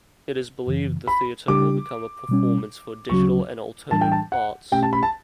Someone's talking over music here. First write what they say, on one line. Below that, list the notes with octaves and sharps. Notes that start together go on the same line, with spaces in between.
It is believed the theater will become a performance for digital and alternative arts.
F#2 C#3 E3
B5
C#3 G3 D4 G4 D6
B2 G3 C#4
D2 C#3 F#3 C#4 F#4 C#6
A2 E3 G3 D4 A5
G5
A5
F#5
B2 A3 C#4 G4 G5
A5
B5
A5